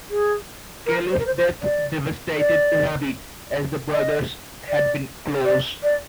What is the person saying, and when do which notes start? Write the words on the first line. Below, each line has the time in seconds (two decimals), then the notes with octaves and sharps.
Kelly's death devastated Rudy as the brothers had been close.
0.10 G#4
0.86 A#4
1.12 C5
1.19 A#4
1.27 C5
1.37 C5
1.62 D5
2.39 D5
3.92 D#5
4.69 D5
5.45 D5
5.83 D5